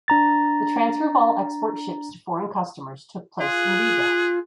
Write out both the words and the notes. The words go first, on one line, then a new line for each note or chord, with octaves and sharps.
The transfer of all export ships to foreign customers took place in Riga.
D4 A#5 A6
F4 G#4 F#6